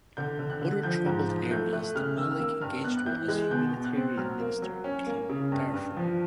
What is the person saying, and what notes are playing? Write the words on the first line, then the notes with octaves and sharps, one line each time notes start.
Other troubled areas that Malik engaged with as Humanitarian Minister included Darfur.
D3 G6
D3
F#6
D3
F3 G6
G#2
F3
A3 G6
A3 F#6
C#3 F6
D#3 E6
F6
A#3 E6
G2 F6
B3 F#6
F#6
E3 G6
G#3 F#6
B2 G6
B2
F#6
C4
F#3 F6
A#3
F#3
C#4
A#3
C#3
G2
G2
F3